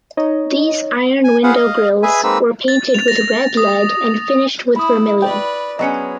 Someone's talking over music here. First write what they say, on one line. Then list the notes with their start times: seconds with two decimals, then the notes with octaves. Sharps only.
These iron window grills were painted with red lead and finished with vermilion.
0.17 D#4 C#5 D#5
1.24 G#5
1.43 F4 G#4 B4 C5 F5 F#5
1.55 D#5 F5
2.03 G#4 B4 E5 G#5
2.23 G#3 A#3 C4 D#4 B4 E6
2.68 A6
2.94 F7
3.08 A#6
3.57 D#6
4.76 E4 B5 D#6
5.22 B4 D5 G5
5.79 F#3 G#3 B3 C#4 D#5 C#7